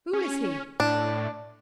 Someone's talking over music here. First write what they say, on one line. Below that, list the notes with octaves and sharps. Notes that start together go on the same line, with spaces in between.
Who is he?'
C#4
A2 D4